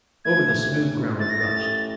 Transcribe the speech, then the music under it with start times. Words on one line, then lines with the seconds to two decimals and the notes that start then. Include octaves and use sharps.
Over the smooth ground it rushed.
0.25 A3 G#6
0.48 G4
0.72 C#4
0.95 E4
1.19 A3 A6
1.30 A#6
1.40 G4 A6
1.67 C#4